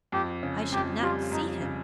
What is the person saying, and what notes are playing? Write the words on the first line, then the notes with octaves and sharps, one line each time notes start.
"I should not see him."
F2 G4
C#3
F2 G4
G3 F4
F2 D#4
C#3